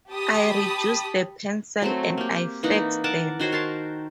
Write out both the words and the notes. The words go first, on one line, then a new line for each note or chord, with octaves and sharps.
I reduce the pencils and I fax them.
G4 A5 B5 D#6
F#3 A3 C4
A#3 G4
E3 A#3 D#4 F#5
A#4 F#5 A5 D6
D#3 F#4 C5 C#5
A#4 A5 C6